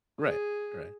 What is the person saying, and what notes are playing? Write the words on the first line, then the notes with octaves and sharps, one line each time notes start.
Right, right.
G#4